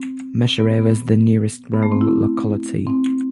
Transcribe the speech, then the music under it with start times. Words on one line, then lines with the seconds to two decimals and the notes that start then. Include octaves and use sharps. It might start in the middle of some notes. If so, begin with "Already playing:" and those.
Meshcherevo is the nearest rural locality.
Already playing: C4
0.60 B3
0.79 B3
1.73 B3
1.83 A3
1.92 C4
2.01 E4
2.87 C4